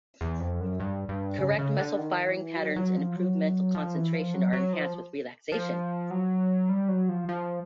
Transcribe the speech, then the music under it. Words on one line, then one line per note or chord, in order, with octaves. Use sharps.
Correct muscle firing patterns and improved mental concentration are enhanced with relaxation.
E2
F2
F#2
G2
G2
C#3
C#3
D3
D#3
E3
F#3
F#3
F3
F#3
F3
E3
F3
F#3
F#3
F3
F3
F#3
G3
F#3
F3
F3